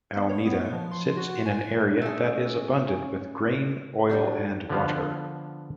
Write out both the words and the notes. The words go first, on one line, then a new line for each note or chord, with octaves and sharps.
Alameda sits in an area that is abundant with grain, oil and water.
B3
C#5
B3
F3
C6
F#4
G#5
A3 C#4 G#4
F#3 G3 D4 D5 G6
D3 F3 B3 F5